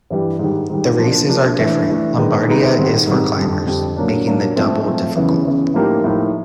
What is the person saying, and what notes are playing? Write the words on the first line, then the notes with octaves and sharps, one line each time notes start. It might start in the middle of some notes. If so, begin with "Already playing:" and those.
The races are different - Lombardia is for climbers - making the double difficult.
G2 E3 G3
G#2 D#3 G3
G#2 D#3 G3
F3 A#3 D4
F3 A#3 D4
E3 A3 D4
E3 A3 D4
D#3 G#3 B3 D#4
D#3 G#3 B3 D#4
G#2 D#3 G3 C4
G#2 D#3 G3 C4
F2 D3 G3
F2 D3 G3
A#2 F#3 A#3 D4
A#2 F#3 A#3 D4
F3 A3 C4
F3 A3 C4
E2 C#3 E3
E2 C#3 E3
A2 F3 A#3 D#4 G4
A2 F3 A#3 D#4 G4